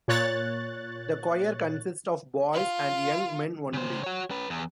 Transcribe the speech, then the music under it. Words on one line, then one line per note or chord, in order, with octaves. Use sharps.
The choir consists of boys and young men only.
A#2 C#5 F#6 A6
F4
C#3 C5
F#4 C#5
C#4 B4
E2